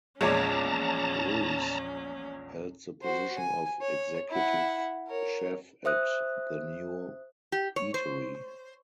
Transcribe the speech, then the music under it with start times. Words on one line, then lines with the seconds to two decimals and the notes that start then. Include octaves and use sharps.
Ruiz held the position of Executive Chef at the new eatery.
0.21 A#1 E2 G#3 C#4 C#5 D5 A5 A#5
3.02 F#4 C5
3.38 G#5
3.81 C#5
4.29 E4 F#5
5.07 A#4 C#5
5.85 C5 E5 D#6 F#6
7.52 G4
7.76 C#5
7.94 C5